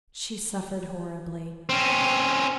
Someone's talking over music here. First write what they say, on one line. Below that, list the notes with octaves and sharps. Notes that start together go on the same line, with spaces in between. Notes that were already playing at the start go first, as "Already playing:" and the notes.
She suffered horribly.
C4 C#4